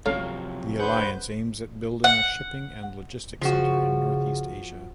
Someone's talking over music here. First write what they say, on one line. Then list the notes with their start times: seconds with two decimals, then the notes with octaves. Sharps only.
The alliance aims at building a shipping and logistics center in Northeast Asia.
0.06 C3 F3 F#3 A3 C#4 F5
0.79 D4 G#4 B4 C5 F#5 G6
2.04 F#5
3.41 C#3 F3 F#4